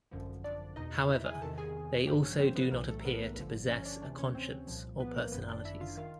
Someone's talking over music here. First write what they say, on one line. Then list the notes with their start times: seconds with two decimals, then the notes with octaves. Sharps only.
However, they also do not appear to possess a conscience or personalities.
0.11 G#1 F#2 D3 F3
0.44 D4 D5
0.76 E2 B2 D#4 D#5
1.09 E4 E5
1.25 G#4 G#5
1.42 E2 C3 D#3 A4 A5
1.58 G#4 G#5
2.07 A1 G2 D3 F3 G4 G5
2.23 C#4 C#5
2.39 C4 C5
2.56 B3 B4
2.71 B1 A2 E3 A#3 A#4
2.88 A3 A4
3.00 A#4
3.05 B3 B4
3.37 G1 G2 D3 F3
3.69 C#4 C#5
3.85 D4 D5
4.02 D2 C3 E3 D4 D5
4.18 C#4 C#5
4.35 C4 C5
4.67 C2 A#2 F3
5.00 B3 B4
5.16 A#3 A#4
5.32 G1 F#2 D#3 B3 B4
5.49 D4 D5
5.65 E4 E5
5.81 F4 F5
5.97 D#3 F4 F5